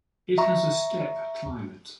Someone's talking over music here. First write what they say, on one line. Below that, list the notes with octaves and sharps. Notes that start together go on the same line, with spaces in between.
It has a steppe climate.
E5 A#5 C#6